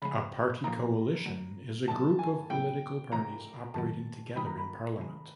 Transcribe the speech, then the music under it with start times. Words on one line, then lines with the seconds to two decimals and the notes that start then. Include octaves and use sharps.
A party coalition is a group of political parties operating together in parliament.
0.02 C#3 F3 G#3 B5
0.64 A#2 F3 A#3 D#4 A#5
1.25 D3 F#3 A3
1.88 F#2 D3 F#3 A#3 D#4 A5
2.19 G#5
2.50 A2 F#3 B3 E4 G4 G5
3.12 C3 E3 A3 A#5
3.74 F#2 D#3 F#3 A5
4.36 D#3 G3 A#3 D#4 B5
4.46 A#5
4.57 B5
4.98 C3 D#3 G#3